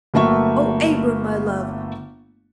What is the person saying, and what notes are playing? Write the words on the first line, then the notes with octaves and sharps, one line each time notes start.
Oh, Abram, my love!
G1 F#3 A3 A#3 E5 C#6